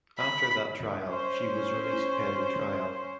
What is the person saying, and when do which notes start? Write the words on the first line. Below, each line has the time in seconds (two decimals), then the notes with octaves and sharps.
After that trial she was released pending trial.
0.19 B5
1.06 C#4 C5